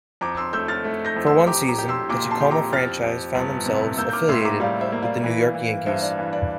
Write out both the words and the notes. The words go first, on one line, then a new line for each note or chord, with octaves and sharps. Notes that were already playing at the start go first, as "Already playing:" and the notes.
For one season, the Tacoma franchise found themselves affiliated with the New York Yankees.
F2 A#5 D6
C6 E6
A3 E6 G6
F6 A6
A3
G6 A#6
F2
C6 E6
G4 A#5 D6
A#5 D6
G4
C6 E6
A#2 A#5 D6
A5 C6
G4
A#5 D6
F2 F6 A6
F2
G1
C3
A#3 E6 G6
G6
D6 F6
A2 C6 E6
A#5 D6
G3 D5 F5
C5 E5
A#3
D5 F5
E3
E3
G2 C5 E5
D5
E3
D5